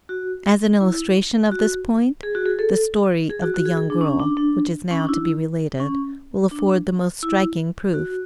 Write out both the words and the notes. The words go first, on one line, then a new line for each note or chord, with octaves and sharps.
As an illustration of this point, the story of the young girl, which is now to be related, will afford the most striking proof.
F#4
E4
F#4
G#4
F#4
G#4
A4
G#4
F#4
F#4
G#4
G#4
D4
C#4
D4
D4
C#4
D4
E4
C#4
D4
E4
F#4